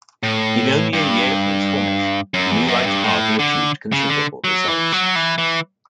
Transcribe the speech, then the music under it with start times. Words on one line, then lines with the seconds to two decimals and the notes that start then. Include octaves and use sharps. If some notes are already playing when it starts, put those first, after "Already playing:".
In only a year from its formation, the New Rights Party achieved considerable results.
0.23 A2
0.93 G2
2.34 F#2
2.51 E2
2.68 F#2
2.86 G2
3.04 A2
3.39 D3
3.92 C#3
4.10 D3
4.44 F#3
4.68 E3
4.92 F#3
5.16 E3
5.38 E3